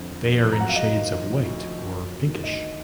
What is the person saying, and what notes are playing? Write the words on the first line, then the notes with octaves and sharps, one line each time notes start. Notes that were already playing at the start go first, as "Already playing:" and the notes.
They are in shades of white or pinkish.
Already playing: F2 D3
F2
F3
F2 F#6
A#5
F#3 F#5
F5
F#3 D#5
D#3
F3
D2
D2
F3
F#2
F#2
F#2
D#3
D2 D#5